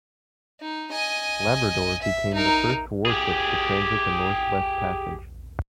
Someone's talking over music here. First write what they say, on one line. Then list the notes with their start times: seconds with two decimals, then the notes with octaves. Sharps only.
"Labrador" became the first warship to transit the Northwest Passage.
0.61 D#4
0.92 D#5 G#5
2.02 E5
2.34 D#4 A#4
3.06 G4 G#4